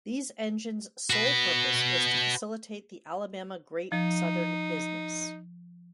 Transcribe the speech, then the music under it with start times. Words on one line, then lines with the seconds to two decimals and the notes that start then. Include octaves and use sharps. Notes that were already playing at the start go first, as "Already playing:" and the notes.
These engines sole purpose was to facilitate the Alabama Great Southern business.
1.10 F#4 B4
3.92 F3 D#4